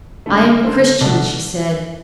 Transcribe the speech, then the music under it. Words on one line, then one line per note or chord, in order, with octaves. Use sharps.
'I am a Christian,' she said.
F#2 D3 A3
F#2 D3 A3 C5
C2 B2 A3 D4